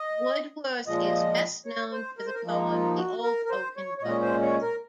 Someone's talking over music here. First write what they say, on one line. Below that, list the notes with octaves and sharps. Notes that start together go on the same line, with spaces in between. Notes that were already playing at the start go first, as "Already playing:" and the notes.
Woodworth is best known for the poem "The Old Oaken Bucket".
Already playing: D#5
A#2 F3 G#3 D#5
C#5
C5
A#4
C5
A#4
F3 A#3 D#4
F4
F#4
A#4
A#4
C5
C#5
C#5
A#2 G#3 C#4 D#5
C5
C#5
A#4